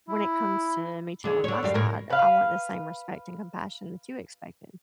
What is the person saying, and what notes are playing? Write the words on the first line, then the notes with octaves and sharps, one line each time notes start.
when it comes to me telling my side, I want the same respect and compassion that you expected.
E4
D3 G#4
D3 C#5
F#2 G3 F5
A2 A#4
B4 F5